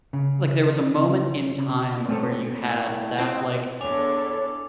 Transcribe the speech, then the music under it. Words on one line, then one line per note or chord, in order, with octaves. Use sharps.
like there was a moment in time where you had that, like,
C#3
A3 C4 C#4 A4 C#5
A2 A3 E4
C4 F4 D#5 G5
E2 D4 A4 C#5 G#5 D6 F7